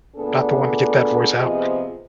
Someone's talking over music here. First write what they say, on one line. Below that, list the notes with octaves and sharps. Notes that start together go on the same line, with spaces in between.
not the one to get that voice out.
D2 A#2 B3 D4 G#4 A4
C3 F3 B3 G#4 C5 D#5